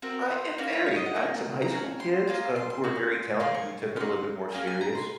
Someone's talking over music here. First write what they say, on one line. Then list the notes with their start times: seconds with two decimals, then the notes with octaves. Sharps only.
I It varied, I had some high school kids, uh, who were very talented, who took it a little bit more serious,
0.02 C4 F#4 A#4
0.31 C5
0.58 A#3 C#4 F#4 C#5
0.73 C#5
0.86 C#5
0.96 D#5
1.06 F#5
1.15 A#3 F4 G#4
1.62 A#5
1.71 C#4 F#4 G#5
2.00 C6
2.27 A#3 F4 G#4
2.56 C6
2.70 C6
2.84 C#4 F#4
3.40 A#3 F4 G#4 C6
3.54 C#6
3.96 C#4 F#4 C6
4.52 A#3 C#4 G#4 F5
4.67 G#5
4.81 A#5
4.95 C6